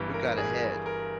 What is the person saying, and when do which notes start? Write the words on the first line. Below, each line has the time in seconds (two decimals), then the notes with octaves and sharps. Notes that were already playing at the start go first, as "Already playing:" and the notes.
who got ahead,
Already playing: G1 G2 E3 G3
0.14 A#4
0.37 G#4
0.86 A#4